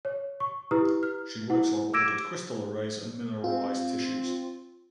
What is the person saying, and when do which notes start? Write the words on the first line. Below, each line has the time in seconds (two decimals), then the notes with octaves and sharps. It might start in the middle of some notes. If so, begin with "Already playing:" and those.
She works on ordered crystal arrays and mineralised tissues.
0.05 C#5
0.40 C#6
0.71 E4 G4 B4 A#5 D#6 F6
1.03 F6
1.50 E4 F#5
1.94 D6 E6 G#6 A#6 D7 E7
3.44 C4 F4